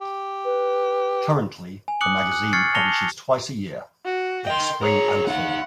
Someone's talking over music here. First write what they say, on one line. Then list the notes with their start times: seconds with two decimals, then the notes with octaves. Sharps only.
Currently the magazine publishes twice a year, in spring and fall.
0.01 G4
0.45 B4
1.88 G#5
2.01 D6 D#6 F#6 C#7 F#7
2.32 F#6
2.53 C#6 F6 G#6 A6 C7 C#7
2.74 A5 A#6 C#7 F7 G7
4.05 F#4
4.47 A#4 D#5 G5 C6
4.81 G#4 A#4 C#5 A#5
5.28 D#4 F5 F#5